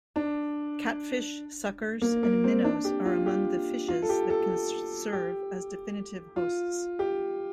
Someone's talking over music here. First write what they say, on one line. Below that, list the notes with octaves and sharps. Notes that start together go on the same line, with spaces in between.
Catfish, suckers, and minnows are among the fishes that can serve as definitive hosts.
D4
A#3
A#3
C4
D4
G4
F4
G4
F4
A4
G4
A4
G4
F4
G4